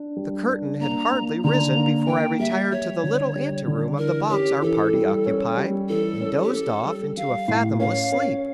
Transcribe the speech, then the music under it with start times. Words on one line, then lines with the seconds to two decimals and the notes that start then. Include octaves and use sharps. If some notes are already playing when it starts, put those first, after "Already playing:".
The curtain had hardly risen before I retired to the little ante-room of the box our party occupied and dozed off into a fathomless sleep.
Already playing: D4
0.17 G3
0.49 D4
0.81 A#3 A#5
1.12 A#3
1.44 D3 A#5
1.75 A#3
2.07 A#3 G5
2.40 G3 E5
2.72 G3 C#5
3.03 D3
3.36 G3
3.67 D3
3.98 E3 A#4
4.30 C#4 G4
4.62 E3 A4
4.94 G3
5.26 C#4
5.57 G3
5.89 E3 A4
6.21 C#4
6.44 G4
6.52 C#4 A4
6.85 G3
7.17 G3 F5
7.48 A2
7.80 C#4 F5
8.12 C#4